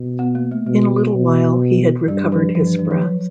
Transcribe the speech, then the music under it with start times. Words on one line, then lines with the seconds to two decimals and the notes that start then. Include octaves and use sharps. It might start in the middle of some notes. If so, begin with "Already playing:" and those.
In a little while he had recovered his breath.
Already playing: B2
0.19 B3
0.35 A#3
0.51 A3
0.66 B2 G#3
1.14 B2
2.08 G2 G3
2.32 F3
2.55 G2 F3
2.67 E3
2.79 E3
2.91 F3
3.02 F#3